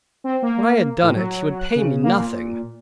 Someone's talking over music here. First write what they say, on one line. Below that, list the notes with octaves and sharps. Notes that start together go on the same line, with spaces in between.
When I had done it, he would pay me nothing.
C4
A#3
A2
F#3
F#6
C#3
A#3
A#2